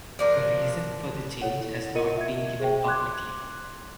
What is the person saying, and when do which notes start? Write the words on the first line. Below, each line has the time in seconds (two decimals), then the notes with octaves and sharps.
A reason for the change has not been given publicly.
0.19 F3 D4 A#4
1.42 E4 A4 C#5 F#5
1.95 F4 A#4 D#5 C#7 D#7
2.17 E5 G#6
2.60 G#4 C5 E5 G5
2.85 C6 D6 F#6 G#6